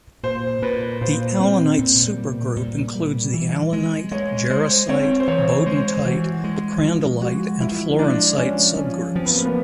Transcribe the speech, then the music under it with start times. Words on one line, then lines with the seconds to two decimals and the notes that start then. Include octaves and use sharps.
The alunite supergroup includes the alunite, jarosite, beudantite, crandallite and florencite subgroups.
0.23 A#2 C5
0.62 A#2 B4
1.01 A#2 C5
1.40 C4
1.79 A#2
2.18 G3
2.56 A#2
2.95 G3
3.34 E3
3.73 G#3
4.12 G#3 C#5
4.50 G#3 C5
4.89 C4 C#5
5.20 C5
5.28 E3 C#5
5.66 G#3 C5
6.05 E3 F#4
6.44 G#3
6.83 F3
7.21 G#3 F#4
7.60 F3 E4
7.99 G#3 D4
8.38 F3 C#4
8.77 F3 C#4
9.15 F3 C4
9.26 B3
9.36 A#3
9.45 B3